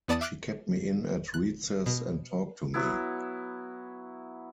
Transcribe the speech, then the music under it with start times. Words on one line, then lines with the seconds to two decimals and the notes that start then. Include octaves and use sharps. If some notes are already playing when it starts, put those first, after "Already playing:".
She kept me in at recess and talked to me.
0.08 E2 B3 D5 A5 D#6 A6
0.21 E5 D6 F6 F#6 D7
1.34 F#6
1.86 B2
2.74 F#3 B3 E4